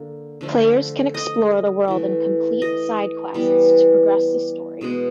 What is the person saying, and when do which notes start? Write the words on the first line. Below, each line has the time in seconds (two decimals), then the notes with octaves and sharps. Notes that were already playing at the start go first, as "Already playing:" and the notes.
Players can explore the world and complete side quests to progress the story.
Already playing: D3 A#3
0.41 D3 F3 A3
1.14 D#5
1.88 E3 A3
2.62 D#5
3.34 E3 G3 B3
4.81 B2 G#3 B3